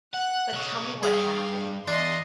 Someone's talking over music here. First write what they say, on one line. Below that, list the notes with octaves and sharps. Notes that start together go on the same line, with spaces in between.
But tell me what happened.
F#5 F#6
B1 C#3
G2 G#4 F5 G5
E2 D4 D#5 C6